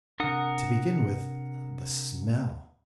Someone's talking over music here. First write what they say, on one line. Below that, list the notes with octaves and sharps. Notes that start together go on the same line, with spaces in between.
To begin with the smell.
C3 D4 A#4 F#5 D#6